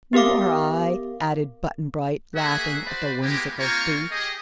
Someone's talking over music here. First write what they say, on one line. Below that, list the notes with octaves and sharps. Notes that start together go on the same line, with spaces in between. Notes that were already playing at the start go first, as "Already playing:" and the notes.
"Nor I," added Button-Bright, laughing at the whimsical speech.
B3 G4 A#4 F5 D6
A#3 F#4 G#4 E5 F#5 G#5
F#4 B4 C5 D5 B5
G#3 A#3 B3 E4 G4
A#3 C4 F4 A#4 C#5 C#6
G4 G#4 D#5